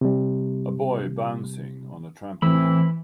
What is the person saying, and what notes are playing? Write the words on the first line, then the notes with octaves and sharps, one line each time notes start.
A boy bouncing on a trampoline.
C3 G3
A1 E3 A3 C4 B5 E6